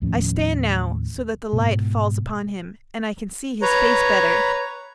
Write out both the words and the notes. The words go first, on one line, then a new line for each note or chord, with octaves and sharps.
I stand now so that the light falls upon him, and I can see his face better.
D#2 A2 F3 C#4
G#2 B2
B4 C#5 A#5